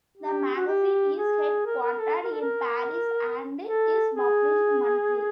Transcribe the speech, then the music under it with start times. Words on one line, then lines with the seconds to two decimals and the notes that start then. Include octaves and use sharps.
The magazine is headquartered in Paris and is published monthly.
0.18 G4
0.55 F#4
0.67 G4
1.16 G#4
1.66 A#4
1.83 A#4
1.99 A4
2.24 A#4
2.32 A4
2.41 A#4
3.65 A4
4.14 G#4